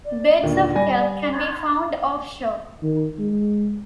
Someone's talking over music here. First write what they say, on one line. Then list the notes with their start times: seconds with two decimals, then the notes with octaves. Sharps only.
Beds of kelp can be found offshore.
0.05 D5
0.43 D#2 A#2 D3
0.75 G3 G#5 A#6
2.82 D#3
3.19 G#3